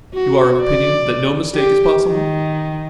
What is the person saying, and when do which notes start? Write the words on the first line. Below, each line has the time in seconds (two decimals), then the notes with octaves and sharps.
"You are of opinion that no mistake is possible?"
0.14 F#4
0.61 D5
1.55 G4
2.06 D#3